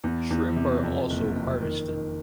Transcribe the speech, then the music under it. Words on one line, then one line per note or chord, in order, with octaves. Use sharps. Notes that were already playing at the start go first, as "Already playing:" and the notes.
Shrimp are also harvested.
E2
E2
C3
F2
F#1
F2
D#3
D#3